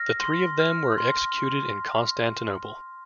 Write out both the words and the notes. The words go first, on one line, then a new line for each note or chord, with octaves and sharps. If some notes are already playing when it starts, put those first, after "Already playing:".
The three of them were executed in Constantinople.
Already playing: F6 A#6
C6
F6
C6
C6